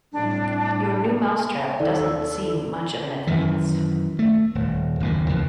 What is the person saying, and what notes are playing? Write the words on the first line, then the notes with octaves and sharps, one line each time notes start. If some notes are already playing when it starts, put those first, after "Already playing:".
Your new mouse trap doesn't seem much of an advance.
A2 C3 G3 D4
D#2 A4 D5
F#2 D#3 E3
A3
D#1
F#1 D#2 A#2
C#2 F3